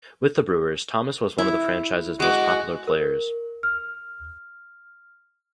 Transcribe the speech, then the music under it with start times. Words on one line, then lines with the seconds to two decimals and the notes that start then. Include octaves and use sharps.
With the Brewers, Thomas was one of the franchise's most popular players.
1.38 E4
2.20 G#3 F#4 D6
2.87 A#4
3.63 F6